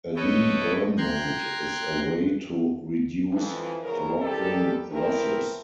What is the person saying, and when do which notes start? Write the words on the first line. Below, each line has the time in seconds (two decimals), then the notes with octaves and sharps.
A lean burn mode is a way to reduce throttling losses.
0.16 A4 B4 C#5 D#5 G5
0.97 G5 A#5 C6 F#6 G#6
3.32 F2 E3 F3
3.83 E2 G#2 C#3 A#4
4.22 E2 D#3 G3 G4 A4
4.91 A3 B3 C4 E4 A#4